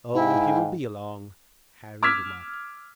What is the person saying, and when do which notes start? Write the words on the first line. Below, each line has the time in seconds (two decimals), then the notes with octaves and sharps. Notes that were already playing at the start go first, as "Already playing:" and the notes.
"Oh, he will be along," Harry remarked.
0.15 G#2 E4 F5 G5 G#5
2.03 D6 E6 F6 G#6 B6